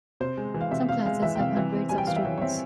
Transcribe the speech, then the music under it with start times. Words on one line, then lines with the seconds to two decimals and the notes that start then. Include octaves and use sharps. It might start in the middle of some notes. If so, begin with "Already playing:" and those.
Some classes have hundreds of students.
0.20 C3 C5
0.37 G#3
0.54 E3
0.61 F5
0.71 C3 E5
0.89 C3 F5
1.06 G#3 F5
1.22 E3 E5
1.36 G5
1.39 C3 F5
1.57 E3 E5
1.74 C4
1.89 G3 G#5
1.98 G5
2.07 E3 F5
2.16 E5
2.25 E3 C#5
2.38 C#5
2.42 C4 E5